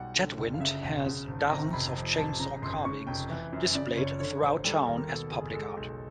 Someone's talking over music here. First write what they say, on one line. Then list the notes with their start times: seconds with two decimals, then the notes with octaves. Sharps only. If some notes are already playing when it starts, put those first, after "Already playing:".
Chetwynd has dozens of chainsaw carvings displayed throughout town as public art.
Already playing: B1 G3 F#5
0.16 D3
0.38 F#1
0.54 F5
0.60 C#3 E5
0.82 E1 F#5
1.06 C#3
1.27 G#1
1.39 A5
1.50 C3 A#5
1.73 F1 B5
1.96 F3
2.17 A1 A5
2.40 C#3 A#5
2.62 G1 C6
2.85 C#3 C#6
3.07 F1 G5
3.30 E3
3.53 F#2
3.75 C#3 D5
3.96 F#1 C#5
4.20 D3 C#5
4.41 A1 C5
4.64 G3 A4
4.87 D#2 A#4
5.09 B2 A4
5.32 F#1 G#4
5.54 G#3 A4
5.77 B1